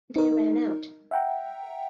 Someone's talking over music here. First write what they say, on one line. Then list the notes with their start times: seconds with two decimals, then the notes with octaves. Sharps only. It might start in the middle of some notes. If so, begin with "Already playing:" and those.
They "ran" out.
0.16 D#4 A#4
1.11 E5 F#5 G5 A#5